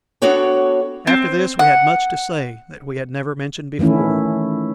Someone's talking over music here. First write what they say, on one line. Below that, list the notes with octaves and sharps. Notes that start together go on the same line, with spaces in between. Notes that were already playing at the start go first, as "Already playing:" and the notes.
After this we had much to say that we had never mentioned before.
B3 D4 F#4 A4 C#5 G5
C4
F#5
D#3 E3 A3 C#4 E4